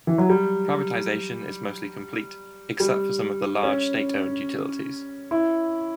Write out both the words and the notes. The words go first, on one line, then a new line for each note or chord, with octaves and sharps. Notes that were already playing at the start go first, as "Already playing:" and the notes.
Privatization is mostly complete, except for some of the large state-owned utilities.
E3
F#3
G3
G3
C#4
E4